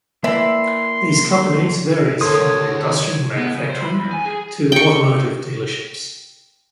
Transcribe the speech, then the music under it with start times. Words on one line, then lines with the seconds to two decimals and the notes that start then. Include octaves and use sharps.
These companies varies from industrial manufacturing to automotive dealerships.
0.24 E3 A#3 D5 E5 B5 C6
2.21 D2 D3 A4 A#4 C#5 C6 D#6
3.37 B3
3.54 C#3
3.69 C5
3.82 B5
3.99 E2
4.11 G#5
4.26 G#4
4.72 G5 C#6